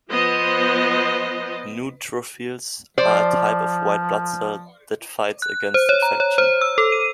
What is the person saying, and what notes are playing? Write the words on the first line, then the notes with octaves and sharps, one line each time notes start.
Neutrophils are a type of white blood cell that fights against infection.
F3 B3 C5 D#5
F3 C5 D5
F#6
C5
C#5
A#5
C#5
C5
E6
A4
D#7